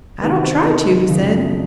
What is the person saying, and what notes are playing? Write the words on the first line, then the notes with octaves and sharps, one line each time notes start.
"I don't try to," he said.
E2 C3 D#3 B4
C5
E2 C3 D#3 D#5
F#2 C#3 F3